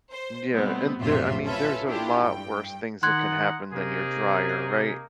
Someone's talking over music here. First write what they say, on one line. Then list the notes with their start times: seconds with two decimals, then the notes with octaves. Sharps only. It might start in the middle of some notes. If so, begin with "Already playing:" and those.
Yeah, and there I mean, there's a lot worse things that could happen than your dryer, right?
0.11 C5
0.52 B2 G3 A3 B3 C4
0.99 A#1 F#2 A2 C3 F4 E5
1.45 C#4 F4 A4 B4 E5 B5
1.86 D4 E4 F4 G4 A4
2.20 G2 G5
3.03 D#3 D#4 F#5 C6 F#6 G#6
3.73 C3 A#3 D#4 G#4